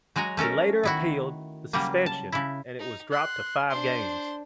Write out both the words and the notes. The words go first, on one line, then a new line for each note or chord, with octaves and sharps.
He later appealed the suspension, and it was dropped to five games.
F#3 G#3 F#4 G#5 A#5
A3 C#4 A4 A#4
D#3 E4 F#4
C#3 F#3 G3 A#3
A5
C#3 E4
D#4
C6 F#6
D4 C5 C6